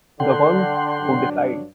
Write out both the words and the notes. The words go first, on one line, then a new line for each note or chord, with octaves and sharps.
The Ones Who Decide.
D3 F#5 G5 C6
G2 F#3 D4